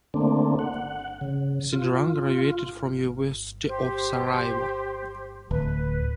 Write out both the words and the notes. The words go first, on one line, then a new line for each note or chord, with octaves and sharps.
Sidran graduated from University of Sarajevo.
D3 A3 A#3 C4 D4
F#5
C#3
F4
G4 C5
D1 B4